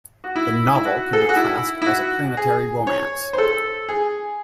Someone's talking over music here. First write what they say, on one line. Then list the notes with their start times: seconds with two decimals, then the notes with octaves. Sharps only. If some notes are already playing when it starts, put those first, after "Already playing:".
The novel can be classed as a planetary romance.
0.24 F#4
0.36 E4
0.75 E4
0.85 F#4
1.13 A4
1.21 G#4
1.29 F#4
1.36 E4
1.82 E4
1.86 F#4
2.37 G#4
2.87 C#5
3.33 C5
3.38 A4
3.89 G#4